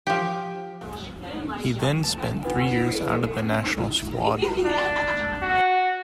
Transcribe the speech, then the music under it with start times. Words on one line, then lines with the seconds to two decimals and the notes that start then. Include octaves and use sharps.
He then spent three years out of the national squad.
0.07 F3 G4
2.04 A3 A5
2.45 D3 B3 F4
2.76 E4
2.97 E2 E4
3.12 A#2 D#3
4.65 D4
5.42 F#4